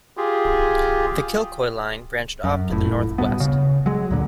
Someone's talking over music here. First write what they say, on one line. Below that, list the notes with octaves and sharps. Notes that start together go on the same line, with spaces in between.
The Kilcoy line branched off to the north-west.
F4 G4 G#4
F#2
F1 A2
D1 G2 B2 B3
C#3
F#3 G#3
D2 A#2 D3